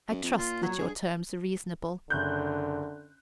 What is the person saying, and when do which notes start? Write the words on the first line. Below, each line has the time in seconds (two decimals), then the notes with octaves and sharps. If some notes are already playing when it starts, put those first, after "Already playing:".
I trust that your terms are reasonable.
0.10 F#2
0.23 F2
0.38 A#2 F4
0.63 F#3 C#5
0.79 G2 G#4
2.10 F#1 D3 F#6 G6